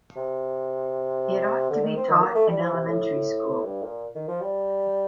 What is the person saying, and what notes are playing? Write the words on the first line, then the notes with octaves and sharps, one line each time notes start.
It ought to be taught in elementary school.
C3
D3
D#3
C4
D#3
A#3
A3
G3
F3
C3
A2
G2
A#2
D#3
F3
G3